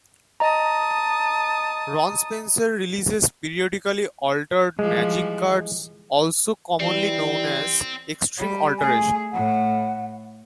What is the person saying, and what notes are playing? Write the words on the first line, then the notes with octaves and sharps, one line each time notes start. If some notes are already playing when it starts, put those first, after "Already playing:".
Ron Spencer releases periodically altered Magic cards also commonly known as Extreme Alteration.
D#5 A5 A#5 D#6
E3 F3 G3 G#3
E3 G3 C4
G3
A3 G#4 G#5
A2 F#5